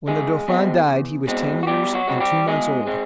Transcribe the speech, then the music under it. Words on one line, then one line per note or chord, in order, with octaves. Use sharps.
When the dauphin died he was ten years and two months old.
E2 G#3 G#4
B2 G#3 C4
E2
B2 G#3 C4
F#4
B2 G3 G4
F#3 F#4
G#3 C4
G3 G4
B2 G#3 G#4
G#3 C4